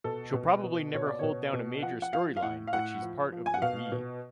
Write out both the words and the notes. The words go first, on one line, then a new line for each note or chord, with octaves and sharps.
She'll probably never hold down a major storyline but she's part of the weave.
B2 A4
B2
B2
B2 C#5
D5
B2 C#5
B2
F3 F#5
F#5
F3 F5
F5
A2 F#5
F5
A2 F#5
F3
F3
G#5
F#5
B2 F5
B2